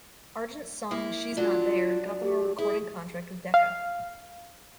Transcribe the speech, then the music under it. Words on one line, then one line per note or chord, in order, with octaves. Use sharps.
Argent's song "She's Not There" got them a recording contract with Decca.
A#3 E4
F#3 D4 F4
G4
E4 G#4
F5